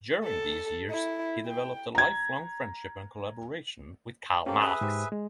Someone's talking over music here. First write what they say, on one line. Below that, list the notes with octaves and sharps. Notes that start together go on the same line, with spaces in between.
During these years, he developed a lifelong friendship and collaboration with Karl Marx.
A4
E4
G5
A#5 G#6
A#3 C4 C#4 G4 A4
G#4 B4 E5
G#2 G4 C5
G#3